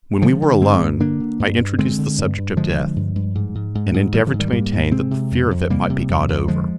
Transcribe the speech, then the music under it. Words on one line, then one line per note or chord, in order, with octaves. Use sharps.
When we were alone, I introduced the subject of death, and endeavoured to maintain that the fear of it might be got over.
D3 F3 G#3
D3
G2 G#3 C4
G2
D3 A#3 D4
D3
G2
G2
D3 G#3 C4
D3
G2
G2
D3 F3 G#3
D3
G2
G2
G#2
G#2
G#2
G#2
G#2 D#3 G3
D3 F3
G#2
D#3 G3
G#2 G3 A#3
G#2
C3 G#3 C4
C3
F2
F2
C3 G3 A#3
C3
F2
F2
D3 F3 G#3